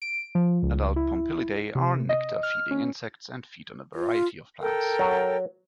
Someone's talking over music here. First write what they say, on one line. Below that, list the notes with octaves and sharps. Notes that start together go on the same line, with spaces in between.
Adult Pompilidae are nectar-feeding insects and feed on a variety of plants.
D7
F3
C#2
E4
C3
D#5
F6
C#4
F4
A4 A#4 G5
F#3